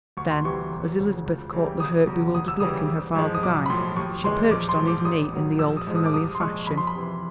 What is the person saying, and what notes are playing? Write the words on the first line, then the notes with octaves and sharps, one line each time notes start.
Then as Elizabeth caught the hurt, bewildered look in her father's eyes she perched on his knee in the old familiar fashion.
D2 C#6
C6
C3 E3 G3 C#6
E1
D2 C#3
C#2
C#3 E3 G3
E1 D#6
E2 C#3 F#3
D2 D#6
E6
C#3 E3 G3 D#6
G#1
G#2 F3 G#3
D#6
B1 D6
B5
A2 F3 C6
D#2 C#6
C#3 E3 G#3 C6
A#1 D6
C6
G#2 F3
D6
A1 D#6
A2 F#3
A#1 E6
D#6
G#2 F3 G#3
D#6
D6
C2 D#6
C6
A#2 F3 G#3 C#6
F2 B5
C6
B5
C3 E3